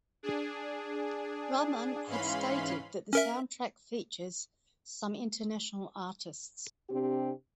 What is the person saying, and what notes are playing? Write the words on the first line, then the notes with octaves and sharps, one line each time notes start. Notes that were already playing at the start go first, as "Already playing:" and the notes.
Rahman had stated that the soundtrack features some international artists.
D4 G#4
G#2 E3 C#4 F5 B5 C6
C#4 A#4 E5
C3 C4 D4 G4